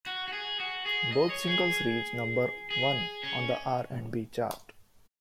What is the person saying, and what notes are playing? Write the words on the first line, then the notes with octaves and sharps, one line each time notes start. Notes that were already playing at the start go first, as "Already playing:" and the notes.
Both singles reached number one on the R and B chart.
F#4
F#4
G#4
F#4
G#4
D#5
C#5
G#4
G#4
C#4